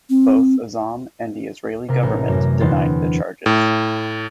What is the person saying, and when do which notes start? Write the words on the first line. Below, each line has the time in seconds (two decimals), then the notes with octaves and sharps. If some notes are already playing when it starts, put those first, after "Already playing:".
Both Azzam and the Israeli government denied the charges.
0.10 C4
1.88 C3 A#4
2.03 A1 A#4
2.28 F#2 D5 A#6
2.61 E2 D3 C4 C6 A6
3.46 A2